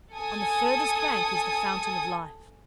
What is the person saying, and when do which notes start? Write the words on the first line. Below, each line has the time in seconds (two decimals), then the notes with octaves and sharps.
On the furthest bank is the fountain of life.'
0.15 A4 G#5 D#6